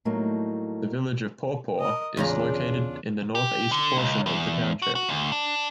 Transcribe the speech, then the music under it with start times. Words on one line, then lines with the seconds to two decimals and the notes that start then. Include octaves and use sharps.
The village of Paw Paw is located in the northeast portion of the township.
0.05 A2 F#3 G3 A3 A#3 D#4
1.80 A#4 D#5
2.17 E2 C#3 D4 F4 A#5
3.35 G4
3.72 D3
3.97 C#2
4.26 E2
4.82 F#4
4.95 F#4
5.09 D2
5.32 D4